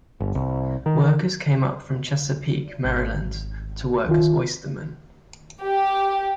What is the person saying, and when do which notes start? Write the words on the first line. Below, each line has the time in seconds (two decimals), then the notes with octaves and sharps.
Workers came up from Chesapeake, Maryland, to work as oystermen.
0.20 G1
0.35 C2
0.86 D#3
2.85 G#1
4.07 C#2 D#3 F4
5.63 G4